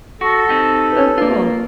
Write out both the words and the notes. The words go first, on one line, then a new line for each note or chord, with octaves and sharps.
Oh, cool.
F#4 A4 C#6 A#6
C4 D#4 G4
B4 C#5
A#3 F4 B4